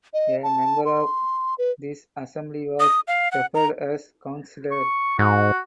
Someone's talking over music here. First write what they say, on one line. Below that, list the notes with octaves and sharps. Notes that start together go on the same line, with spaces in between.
A member of this assembly was referred as "Councillor".
D#5
A5
C6
B4
D#6
F5
F#5
A#5
C#6
G#2 F#4